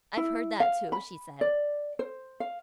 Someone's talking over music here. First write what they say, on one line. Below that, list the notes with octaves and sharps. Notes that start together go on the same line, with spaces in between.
"I've heard that, too," she said.
E4
F5
B5
D5
C5
F5